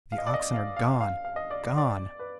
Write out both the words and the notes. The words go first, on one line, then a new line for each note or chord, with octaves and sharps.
The oxen are--gone--gone!'
F5
D#5
D5
D#5
F5
F5
F5
F5
D#5
D5
D5
D5
B4